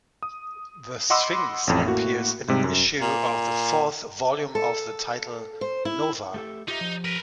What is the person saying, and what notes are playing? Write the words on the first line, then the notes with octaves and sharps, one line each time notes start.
The Sphinx appears in an issue of the fourth volume of the title "Nova".
D#6
D#5 F#5 B5 C6 D6 E6
A1 F2 A2
A2 A#3 F#4
G#2 C3 G3
F#2
A#2
A4
C5
E4
A3 G4 A4
D#4 F4 G4 E5
F3 G4
A#4 B4